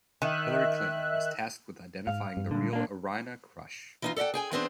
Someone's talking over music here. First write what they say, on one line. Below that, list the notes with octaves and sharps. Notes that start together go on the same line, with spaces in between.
Hillary Clinton was tasked with identifying the real Irina Krush.
D#3 E5 F#6
G#2 F5
G2
G2 A#2 D3
A#3 D4
E3 D#4 F4
A4 D5 D#5 F#5 G5
G#4 G5 G#5
E3 B3 C4 D4 G#4 C5